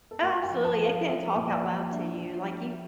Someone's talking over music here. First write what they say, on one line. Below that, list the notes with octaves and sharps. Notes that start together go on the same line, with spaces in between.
Oh, absolutely. It can talk out loud to you, like, you
A4
A3 A#4
G5
F3
A5
F3
F5
F3 E5
A#2
D5
F3
D5
D4 E5
F3
A3